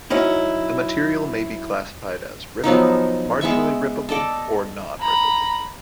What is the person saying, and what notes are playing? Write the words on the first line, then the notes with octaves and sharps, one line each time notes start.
A material may be classified as rippable, marginally rippable or non-rippable.
F#3 C#4 D#4 E4
F3 F#3 B3 D#4
G#3 B3 E5 C#6
A4 D5 D#5 A5
A#5 B5